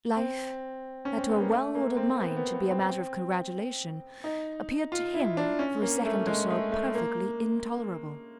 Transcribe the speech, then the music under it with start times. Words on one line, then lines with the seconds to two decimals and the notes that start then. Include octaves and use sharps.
Life, that to a well-ordered mind should be a matter of congratulation, appeared to him, for a second or so, perfectly intolerable.
0.16 C4
1.05 C#4
1.17 C4
1.29 B3
1.40 A#3
1.52 A3
1.75 A#3
1.97 C4
2.20 B3
2.36 B3
2.54 B3
2.71 C4
4.24 D#4
4.92 F4
5.14 E4
5.37 D4
5.59 C#4
5.82 A#3
6.05 A3
6.27 G#3
6.50 A3
6.72 A3
6.95 A#3